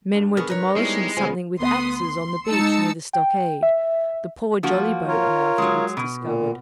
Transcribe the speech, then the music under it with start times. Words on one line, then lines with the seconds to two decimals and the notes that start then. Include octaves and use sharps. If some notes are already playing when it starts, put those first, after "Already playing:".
Men were demolishing something with axes on the beach near the stockade--the poor jolly-boat, I afterwards discovered.
0.14 G2 D4
0.37 B3 G#4 A#4 C#6
0.50 A#4 B4 C#5
0.76 G3 G#3 B3 D#4 E4
1.17 C#3 B3 F4 G#4 C5 G#5
1.58 D2 B3 C6 D#6
1.96 C6
2.47 G#3 D#4 A5 E6 C#7
3.13 G5
3.63 E5
4.63 F3 A#3 F#4
5.08 F4 A#4 C#5
5.58 F#3 G#3
5.97 B2
6.21 A#2